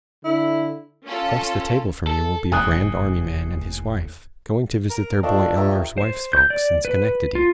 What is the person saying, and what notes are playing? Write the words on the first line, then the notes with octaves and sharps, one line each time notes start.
Across the table from you will be a Grand Army man and his wife, going to visit their boy Elmer's wife's folks in Schenectady.
D3 E4
C#4 F4 A4
A4
F1 D#2 A2 G#5 D#6 F#6
A#4
D4 F4 A4 D#5 G5 C#6
G2 E5 A#5
C5
G6
D5
B4
F4